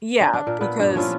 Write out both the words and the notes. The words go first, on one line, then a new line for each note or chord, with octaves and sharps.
Yeah, because
D4
D4
A#2 A#4
A#2 B3
G2
F3 C#4 E4 F4